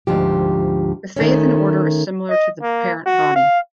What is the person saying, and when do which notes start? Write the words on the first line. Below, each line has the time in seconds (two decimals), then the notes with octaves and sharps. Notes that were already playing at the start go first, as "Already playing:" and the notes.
The faith and order is similar to the parent body.
0.07 D2 G#2 F3 G4
1.16 D#3 A3 C#4
2.30 D#5
2.62 A#3
3.06 F#4
3.36 F5